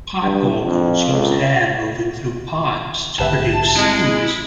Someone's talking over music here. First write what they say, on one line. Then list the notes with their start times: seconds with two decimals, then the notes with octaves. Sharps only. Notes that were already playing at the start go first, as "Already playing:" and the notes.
Pipe organs use air moving through pipes to produce sounds.
0.22 G2
0.61 F2
1.09 C#2
3.19 A#1 G#2 D3 G4 B4 E5 A5
3.76 G#3 C4 E4